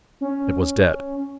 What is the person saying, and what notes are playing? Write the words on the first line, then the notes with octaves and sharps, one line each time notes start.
It was dead.
C#4